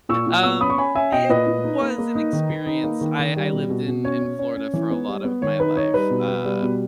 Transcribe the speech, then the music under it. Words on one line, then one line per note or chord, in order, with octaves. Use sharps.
Um, it was an experience, I I lived in in Florida for a lot of my life, uh,
A#2 C#6 E6
A#2
B3 C#6 E6
C#4 B5 D#6
C#6
C#4 G#5 B5
C#4 E5 G#5
B2 D#5 G5
A#2 B4 D#5
A#2
D#4
A#3
A#3
D#4
D#3
D#3
D#4
A#3
D#3
D#3
G3
B2
B2
B2
C#4 C#5
C#4
C#4
C#4
E3
B3
G3
B3
D#3 C#5
D#4 B4
D#4 C#5
G3 B4
B2
B3
G3
B2